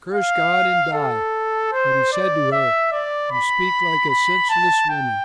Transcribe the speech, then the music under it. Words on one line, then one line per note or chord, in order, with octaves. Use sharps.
Curse God and die." But he said to her, "You speak like a senseless woman.
F5
A4
C5
D5
E5
D5
B5
B5
A5
G5